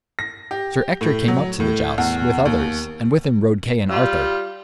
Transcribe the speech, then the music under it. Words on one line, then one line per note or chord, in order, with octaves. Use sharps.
Sir Ector came up to the jousts, with others, and with him rode Kay and Arthur.
A#6
G4
A2
F#3
A2
E2
D#2
G3 F4